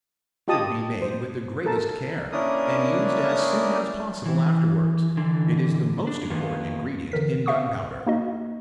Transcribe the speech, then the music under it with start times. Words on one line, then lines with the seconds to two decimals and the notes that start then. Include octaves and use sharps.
It should be made with the greatest care, and used as soon as possible afterwards: it is the most important ingredient in gunpowder.
0.48 F4 G4 D#5 A5 D#6
1.02 C5
1.66 A4 A#4 A5
2.32 A#3 C#4 D4 E4 A#4 D#6
4.26 E3
5.17 D3 E3
6.07 D4
6.30 D#3 A#3 B3 F4 B4
7.12 D3 E3 A#4 B6
7.46 E5 F5 C#6 D#6
8.07 A#3 D#4 F#4 D#5